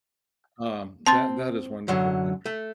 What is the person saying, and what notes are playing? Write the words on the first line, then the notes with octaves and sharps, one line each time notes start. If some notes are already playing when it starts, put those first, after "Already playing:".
Um, that that is wonderful, wonder
C4 A5 C6 A6
F#2 D3 F#3
A3